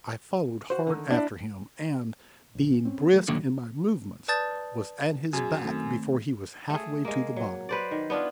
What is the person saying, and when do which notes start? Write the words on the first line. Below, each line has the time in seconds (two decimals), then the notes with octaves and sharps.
I followed hard after him, and, being brisk in my movements, was at his back before he was half-way to the bottom.
0.70 F#4 C5
0.87 D3 D#3
1.11 D4 E4
2.55 A#1
2.85 C4 C#4
3.13 F#3 G#3 A3
3.28 G1 B2 D3 D#3 F#3 A#3
4.28 B4 D5 A5 D#6 G6 A6
5.33 F#2 G#4 G#6
5.64 D#3 A3 C4
6.70 A3 G#4
7.05 G#3 A#3
7.36 F#3
7.69 B4 C5 D5
7.91 D#3
8.10 B3 D4 E4 F4